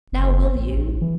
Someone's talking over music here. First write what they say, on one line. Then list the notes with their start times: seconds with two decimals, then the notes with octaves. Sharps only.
Now, will you?'
0.12 F#1
0.55 A1
0.76 A1
1.01 E3